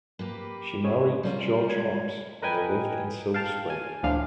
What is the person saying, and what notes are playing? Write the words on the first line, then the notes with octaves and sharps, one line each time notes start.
She married George Hopps and they lived in Silver Spring.
A#3 G4 B4
C#4 G#4 C#5
G3 F4 A#4
G#3 G#6
A#4 B4 D#5 G5 G#5
F5 G5 A5
G#5
D2 A2 F3 D4 F5